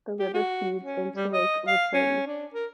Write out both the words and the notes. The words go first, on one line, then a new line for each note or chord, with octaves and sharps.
The river feeds into Lake Rotoiti.
G4
F#4
C#4
G3
D#5
F5
C#4
D4
A#4